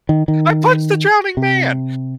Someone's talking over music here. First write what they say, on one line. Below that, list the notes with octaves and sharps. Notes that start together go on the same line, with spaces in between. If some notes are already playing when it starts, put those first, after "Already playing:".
I punched the drowning man!
D#3
D#3
C3